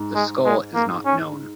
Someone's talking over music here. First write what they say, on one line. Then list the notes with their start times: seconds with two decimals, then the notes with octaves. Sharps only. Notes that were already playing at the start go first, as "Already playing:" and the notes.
The skull is not known.
Already playing: G#2
0.15 G#3
0.45 G#3
0.75 A#3
1.06 C#4